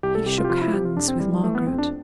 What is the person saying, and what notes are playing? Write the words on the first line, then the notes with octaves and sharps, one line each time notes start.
He shook hands with Margaret.
C2 G4
A4
C3 G4
F4
G4
F3 F4
E4
C3 G4
F4
F2 D4
C4
E3 G3
G3
E3 A3
B3
F2 C4
D4